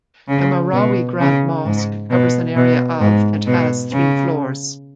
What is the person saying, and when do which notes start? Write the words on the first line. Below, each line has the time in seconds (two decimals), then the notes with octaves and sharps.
The Marawi Grand Mosque covers an area of and has three floors.
0.29 C#3
0.73 B2
1.20 C#3
1.65 G#2
2.11 B2
2.56 B2
3.01 G#2
3.47 B2
3.93 C#3